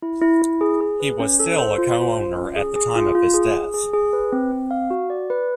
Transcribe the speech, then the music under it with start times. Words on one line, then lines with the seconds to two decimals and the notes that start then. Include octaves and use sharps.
He was still a co-owner at the time of his death.
0.02 E4
0.21 E4
0.42 E4
0.61 G#4
0.81 G#4
1.00 B4
1.20 C#4
1.40 A4
1.59 C5
1.78 F4
1.98 C5
2.17 F4
2.36 C#4
2.56 G#4
2.76 G#4
2.96 F4
3.15 F4
3.34 G#4
3.53 G#4
3.74 G#4
3.94 G#4
4.13 B4
4.32 C4
4.51 C4
4.71 F5
4.91 F#4
5.10 D5
5.30 B4